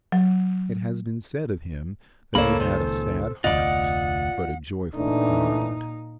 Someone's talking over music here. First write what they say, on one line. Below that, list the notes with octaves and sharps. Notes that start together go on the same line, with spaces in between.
It has been said of him that he had a sad heart but a joyful mind.
F#3
C#2 A#3 A4 C5 C#5 B5
A#2 D#3 C5
F1 D2 B3 F4 D5 D#5 F#5
A#2 E3 A3 D4 D#4